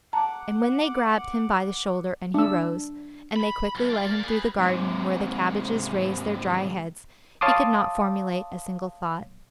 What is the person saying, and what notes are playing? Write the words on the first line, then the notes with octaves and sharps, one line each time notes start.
And when they grabbed him by the shoulder and he rose, and they quickly led him through the garden where the cabbages raised their dry heads, he could not formulate a single thought.
F#5 A5 A#5 D6
D4 E6
B5
B1 C3
D4 F4
A#3 D5
G#4 B4
G#2 C3
C#5 F5 A5 C6 D6 D#6